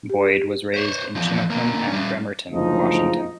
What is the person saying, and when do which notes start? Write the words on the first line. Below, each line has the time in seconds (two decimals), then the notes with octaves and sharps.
Boyd was raised in Chimacum and Bremerton, Washington.
0.10 G4
0.74 C5 C#5
1.15 E2 F3
1.50 D3 A#3
1.88 G3 C#4
2.51 F#1 D2 F3 G#3 D#4 D#5